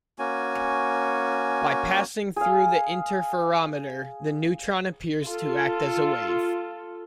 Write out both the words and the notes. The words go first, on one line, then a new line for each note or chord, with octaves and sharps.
By passing through the interferometer, the neutron appears to act as a wave.
A#3 C#4 F#4 G#5
G#4 F5
F4 A4